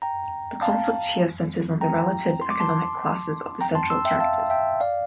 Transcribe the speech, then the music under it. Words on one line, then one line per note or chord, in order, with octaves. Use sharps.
The conflict here centres on the relative economic classes of the central characters.
G5 A#5
F5 A5
G5 A#5
C6
D6
A5 C6
G5 A#5
A5 C6
C6 E6
E5 G5
F5 A5
E5 G5
D5 F5